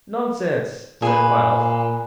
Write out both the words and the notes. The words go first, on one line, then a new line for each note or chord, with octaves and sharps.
"Nonsense," said Files.
A#2 G#4 B4